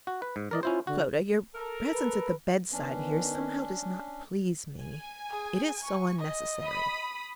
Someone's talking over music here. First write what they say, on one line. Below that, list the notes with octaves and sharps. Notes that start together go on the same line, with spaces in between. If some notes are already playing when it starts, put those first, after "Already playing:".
'Clodagh, your presence at the bed-side here somehow does not please me. It is so unnecessary.'
F#4
B4
G#2
E3 A#4 D5 D#5
C#4 E4 F4 C5
D3 F#4
A4 A#4
B4
D#3 B3 C#4 D4
G#5
G#4
C#6
D#5
B5 D#6